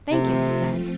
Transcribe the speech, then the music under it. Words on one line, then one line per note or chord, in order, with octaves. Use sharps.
"Thank you," he said.
C3 F3 A3 C4 F4